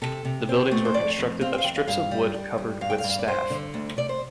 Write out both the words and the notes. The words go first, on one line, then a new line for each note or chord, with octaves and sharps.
The buildings were constructed of strips of wood covered with staff.
C3 A4
C3
C4
A3
C5
F2 D5
F2
C4 F5
G5
F5
F2 G5
F5
G2 F5
G3
G3
G2
G2 F5
G5
F5
G2
F5
D5
G2 C5
D3
D2
C3 D5
C5